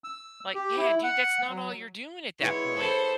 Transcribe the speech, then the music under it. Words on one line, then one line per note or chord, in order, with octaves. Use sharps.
Like, "Yeah dude, that's not all you're doing at that point."
E6
G4
E4
F#5
F#3
G#3 B3 E4 C#5
A4 C5 B5 D6